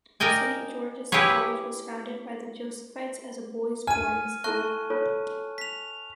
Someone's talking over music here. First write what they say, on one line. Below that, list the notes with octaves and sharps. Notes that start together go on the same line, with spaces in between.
Saint George's College was founded by the Josephites as a boys' boarding school.
A#4 D5 D#5 G5 G#5
E4 G4 G#4 B4 C#5
G#5 F6 D#7
E4 A4 E5 A5 C#6 F#6
F4 A4 C#5
B6 F7